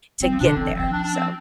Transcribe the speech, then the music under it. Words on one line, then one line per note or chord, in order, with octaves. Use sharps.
to get there, so
G3 C4
F3
C3 D4
D3
E3 C4
F3
C4
F3
D4
D4
C4